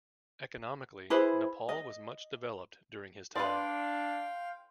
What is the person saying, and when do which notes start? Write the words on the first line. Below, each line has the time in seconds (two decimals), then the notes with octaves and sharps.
Economically, Nepal was much developed during his time.
1.10 E4 G#4 B4 C5
1.69 D#5
3.35 D4 B4 D5 F5 G5 C6